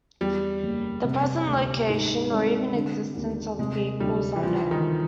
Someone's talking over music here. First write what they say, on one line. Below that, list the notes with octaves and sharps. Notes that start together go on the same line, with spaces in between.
The present location, or even existence, of the vehicle is unknown.
E2 G3
F#1
C3
D2
G#2
G#1
D3
D#2
C3 G#3
D2 G3
E3
C#3 F3
D#3